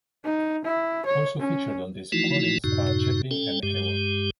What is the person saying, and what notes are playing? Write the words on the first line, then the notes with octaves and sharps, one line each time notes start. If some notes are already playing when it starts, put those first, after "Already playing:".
Also featured on these recordings are Chaplin and Hayward.
D#4
E4
C#5
C#4
E3 F3 A3 D#4 E4 F#4
F#2 A2 C3 D#4 F#4
C#4 A4 G5
G2 G#3 G4